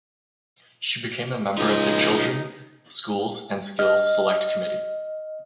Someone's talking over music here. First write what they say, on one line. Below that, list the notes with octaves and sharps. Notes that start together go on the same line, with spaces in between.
She became a member of the Children, Schools and Skills Select Committee.
C#2 A#2 F3 D#4
D#5 F6